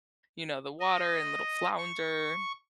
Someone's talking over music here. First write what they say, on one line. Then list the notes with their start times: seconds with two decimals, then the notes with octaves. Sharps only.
you know, the water and little Flounder,
0.80 D#5
1.78 C#6